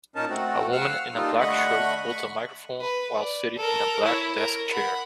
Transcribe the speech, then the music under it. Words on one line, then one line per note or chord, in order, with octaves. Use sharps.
A woman in a black shirt holds a microphone while sitting in a black desk chair.
A#2 C#4 D#4 A#4 A5
A3 C4 F#4
F5 F#5 E6 F6
G3 A#3 D#4 F4 A4
D3 A3 D#5 F#5 B5 C#6
B5 C#6
B4
D5
A4 A#4
E4 C#5
A#4
F#5 B5